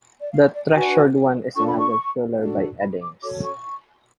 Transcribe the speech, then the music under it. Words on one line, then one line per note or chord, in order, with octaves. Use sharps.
The Treasured One is another thriller by Eddings.
D5
F5
D5
D4 F#4 B4 G#5
D4 F4 A4 C#6
B5
C#6
D4 F#4 A4
B5
D6
C#4 F#4 A4 C#5 D6
C#6